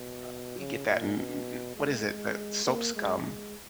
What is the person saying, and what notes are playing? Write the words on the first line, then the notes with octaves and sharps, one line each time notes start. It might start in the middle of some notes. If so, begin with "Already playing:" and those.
Eh, you get that m m m what is it, the soap scum
Already playing: B2
C#3
A#2
B2
G#3
A#3
G#3
G#3